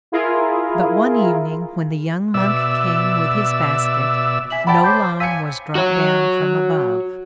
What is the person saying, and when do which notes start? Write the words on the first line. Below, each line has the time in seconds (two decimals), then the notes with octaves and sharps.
But one evening when the young monk came with his basket, no line was dropped down from above.
0.12 E4 F4 G#4 A#4
2.34 B2 D5 E5 E6
4.50 E5 G#5 F#7
4.67 D5 F#5 G5 A5 B5
4.84 C5 C#5 D6 G6
5.20 F5 G#5 E6 B6 C#7 D#7
5.75 F#4 C#5